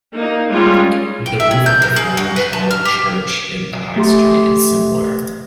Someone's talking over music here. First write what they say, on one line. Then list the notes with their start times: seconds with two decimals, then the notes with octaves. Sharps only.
The roof of the former Tron Church in the High Street is similar.
0.13 A#3 D#4
0.51 G3 G#3 C#4 F4 C#5
1.26 G5
1.40 E5
1.51 G#4
1.66 G6
1.82 A#4
1.96 G#4
2.17 F#4
2.36 B4
2.53 A5
2.71 F6
2.85 G4
3.96 A3 G4 C6